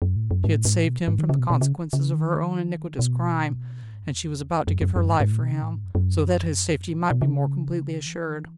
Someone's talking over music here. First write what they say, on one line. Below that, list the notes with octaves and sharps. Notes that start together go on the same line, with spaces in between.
She had saved him from the consequences of her own iniquitous crime, and she was about to give her life for him, so that his safety might be more completely assured.
F#2
A2
F#2
G#2
A2
G#2
A2
B2
G#2
D#3
C#3
B2
B2
C#3
C#3
D#3
B2
A2
G#2
F#2
E2
F#2
F#2
F#2
G#2
G#2
A2
B2
C#3
A2
G#2
F#2
F#2
E2
F#2
A2
B2
B2
C#3
E3